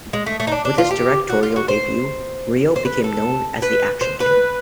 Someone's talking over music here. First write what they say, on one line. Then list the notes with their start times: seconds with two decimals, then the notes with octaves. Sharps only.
With his directorial debut, Ryoo became known as the Action Kid.
0.13 G#3
0.26 A3
0.40 A3
0.47 D#4
0.52 D4
0.65 D4
0.78 F4
0.91 G4
1.30 F#4
1.43 F4
1.56 F#4
1.68 C5
2.76 C5
2.85 B4
3.04 A4
3.62 B4
4.01 C5
4.20 B4